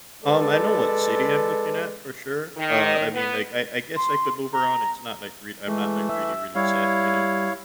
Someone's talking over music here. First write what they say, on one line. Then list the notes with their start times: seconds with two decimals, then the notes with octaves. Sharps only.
Um, I know what city I'm looking at for sure, uh, I mean, like, I I guess I could move around, it's not like rea I'm not really, really set, you know,
0.24 G#3 A4 B4 D5
2.57 D#3
3.15 B3
3.96 C6
4.53 A#5
5.67 E3 G#3 A3
6.09 E5
6.55 G3 E4 C#5 F5